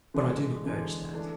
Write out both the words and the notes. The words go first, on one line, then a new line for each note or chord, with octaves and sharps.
But I do not urge that.
E2 D3 G#3 D4
E2 D3 G#3 D4
E3 A3 D4